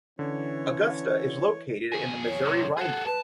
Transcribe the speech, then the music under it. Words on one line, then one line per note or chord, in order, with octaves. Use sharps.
Augusta is located in the Missouri Rhineland.
D3 E3 C#4 C#5
F2 G#4
C#5
F#2 C3
G#4 A4 F#5
B4 A5